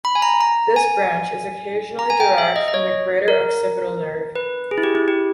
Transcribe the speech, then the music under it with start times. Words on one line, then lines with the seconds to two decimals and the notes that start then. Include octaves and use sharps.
This branch is occasionally derived from the greater occipital nerve.
0.05 B5
0.15 G#5
0.22 A#5
0.41 A#5
0.76 G#5
1.99 A#5
2.10 G#5
2.20 G5
2.38 E5
2.56 D#5
2.68 D#5
2.74 C#5
3.28 A#4
4.36 B4
4.71 G#4
4.78 E4
4.83 G4
4.95 E4
5.08 G4